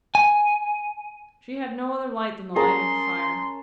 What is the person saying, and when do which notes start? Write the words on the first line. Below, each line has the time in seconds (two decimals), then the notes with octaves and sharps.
She had no other light than the light of the fire.
0.15 G#5
2.56 C#4 G#4 A#4 A5 C6